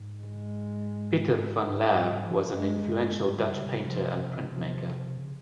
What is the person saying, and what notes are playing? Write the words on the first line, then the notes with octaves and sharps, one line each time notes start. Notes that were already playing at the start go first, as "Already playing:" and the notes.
Pieter van Laer was an influential Dutch painter and printmaker.
Already playing: G#2
G#3
G3
F3
G2 G#3
G2
G#2 G3
G2
C#3
C3
C3 F3
C3 F3
C3
C#3